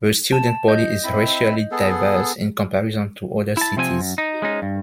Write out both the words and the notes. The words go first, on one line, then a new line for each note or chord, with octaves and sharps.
The student body is racially diverse in comparison to other cities.
A5
D#5 G6
C4 E4 B5
B3 G#4 A4
E4 A5
C3 F3 C4 D#5 G#5
F#2
D#4
G#3 C#4 D#4
G2